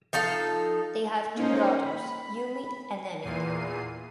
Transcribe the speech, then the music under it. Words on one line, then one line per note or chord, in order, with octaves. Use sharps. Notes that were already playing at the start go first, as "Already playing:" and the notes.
They have two daughters, Yumi and Emi.
F3 D#4 A4 F5
A#3 C#4 D#4 C5
B5
E2 A#2 C7 D#7